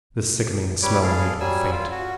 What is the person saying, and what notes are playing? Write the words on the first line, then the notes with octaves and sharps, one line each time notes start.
The sickening smell made him faint.
G3 B4 C#5 D6
G#4 A4 F5
F#3 G3 G#5 E6
F4
F#4